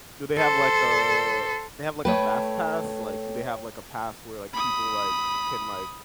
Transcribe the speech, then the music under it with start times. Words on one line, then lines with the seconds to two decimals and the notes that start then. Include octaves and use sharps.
Do they have, like, a they have, like, a fast pass? Like, do they have, like, a pass where, like, people, like, can, like,
0.38 A4 C5
2.05 A3 B4 C#5 G5
4.54 B5 D#6